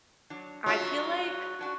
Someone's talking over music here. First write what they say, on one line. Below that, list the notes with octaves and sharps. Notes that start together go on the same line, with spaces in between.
I feel like,
F#3 D4
F#3 C#4 F4 G#4
C#4 D4 F#4